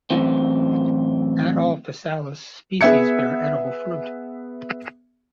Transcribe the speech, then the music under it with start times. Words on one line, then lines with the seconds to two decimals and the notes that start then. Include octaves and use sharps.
Not all "Physalis" species bear edible fruit.
0.10 F#2 A2 E3 C4
2.81 B3 G#4 E5 G#6 C#7